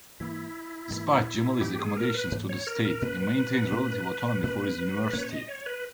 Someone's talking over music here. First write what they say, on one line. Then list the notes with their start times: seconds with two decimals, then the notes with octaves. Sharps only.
Despite Gemelli's accommodations to the state, he maintained relative autonomy for his university.
0.20 G#2 E3 A#3 E4
0.90 G#2 E3 A#3
1.61 G#2 E3 A#3 G4
1.79 G#4
1.97 A#4
2.15 B4
2.32 G#2 E3 A#3
2.49 C#5
2.67 A#4
2.85 A#4
3.02 A#2 A#3 C#4 B4
3.72 A#2 A#3 C#4
4.43 A#2 A#3 C#4
5.13 A#2 A#3 C#4 C#5
5.31 D#5
5.48 C#5
5.66 B4